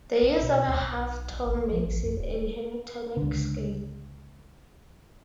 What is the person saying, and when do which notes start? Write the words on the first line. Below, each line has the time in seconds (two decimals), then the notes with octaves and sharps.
The use of a half tone makes it a Hemitonic scale.
0.23 B1
0.43 B2
0.68 D2
0.81 B1
1.46 G#1
1.59 B1
1.72 F3
1.86 A1
2.04 F2
2.19 D1
3.17 C#2 D3